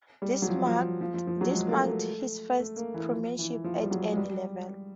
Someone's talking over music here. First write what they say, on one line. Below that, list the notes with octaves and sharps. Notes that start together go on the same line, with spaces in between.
This marked his first premiership at any level.
G3
F#3
F3
F3
F3
F3
F3
F#3
G#3
A#3
A3
A3
A3
A#3
E3
F3
E3
F3
G3
F#3
G#3
G3